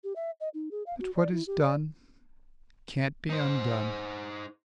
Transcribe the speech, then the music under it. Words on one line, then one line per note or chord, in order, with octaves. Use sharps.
But what is done can't be undone!
G4
E5
D#5
D#4
G#4
F5
F#4
D5
E4
G4
D5
D#4 C5